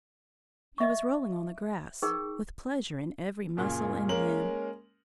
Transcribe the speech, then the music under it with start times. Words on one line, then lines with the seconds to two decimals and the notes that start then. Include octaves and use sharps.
He was rolling on the grass, with pleasure in every muscle and limb.
0.78 D#5 E5 C#6
2.02 D#4 G#4 A#4 G5 C#6
3.57 F#2 A#2 C#3
4.09 G#3 A#3 C#4 A#4 F#7